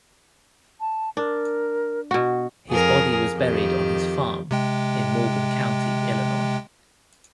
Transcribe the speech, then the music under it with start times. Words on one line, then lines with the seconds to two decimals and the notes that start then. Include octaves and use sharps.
His body was buried on his farm in Morgan County, Illinois.
0.80 A5
1.17 D4 A#4
2.11 B2 F#4
2.69 F2 G#4 A#4
3.34 F2 D#3 G4
4.51 C3 G#3 G5